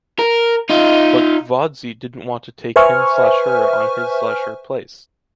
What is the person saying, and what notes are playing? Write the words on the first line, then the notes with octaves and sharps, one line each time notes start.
But Gvozdi didn’t want to take him/her on his/her place.
A#4
D#4 F4
B4 C5 E5 G#5 C#6 F6